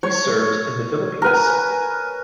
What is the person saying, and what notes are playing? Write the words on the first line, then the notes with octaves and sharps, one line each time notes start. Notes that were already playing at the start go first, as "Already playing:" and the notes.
He served in the Philippines.
C#5
A#4 B4 G#5